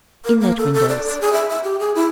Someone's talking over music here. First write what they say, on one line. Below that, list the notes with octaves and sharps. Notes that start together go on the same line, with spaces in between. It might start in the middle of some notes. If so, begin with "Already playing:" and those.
Inlet windows.
A#4
A#3
A4
A4
D5
D5
G#4
E5
E5
G4
G#4
E4